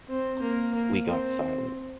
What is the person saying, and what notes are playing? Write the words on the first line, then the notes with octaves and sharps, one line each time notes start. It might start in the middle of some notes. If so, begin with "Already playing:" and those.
We got silent.
C4
A#3
A#3
C4